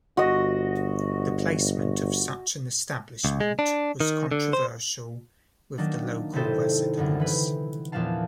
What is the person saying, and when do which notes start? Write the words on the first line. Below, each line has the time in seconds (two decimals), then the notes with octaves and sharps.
The placement of such an establishment was controversial with the local residents.
0.17 G1 F#4 D#5
3.25 C#2
3.41 G#3
3.59 D4
4.00 D#3
4.31 D3
4.53 C5
5.78 D#3 F#3 A#3 D4
6.33 G#1 C3 D#4 E4 A4 C5
6.97 C2 F#2 D3
7.20 E3 B4
7.92 E2 A#2 F3 D4 F5 A5